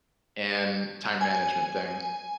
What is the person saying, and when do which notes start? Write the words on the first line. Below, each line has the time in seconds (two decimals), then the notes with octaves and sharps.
and time management thing,
1.21 G#5